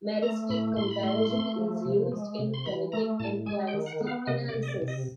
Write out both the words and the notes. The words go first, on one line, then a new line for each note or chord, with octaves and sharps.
Meristic comparison is used in phenetic and cladistic analysis.
A3 A#5
A2 B5
A2 C6
B5
A3 C6
A3
F3
C3
G#3
C3
C6
E3 B5
A3 A#5
A2 A5
G#3 G#5
G5
D#3
F#5
B3
F5
C3 D#5
D5
C3
D#5
D5
C3
D#5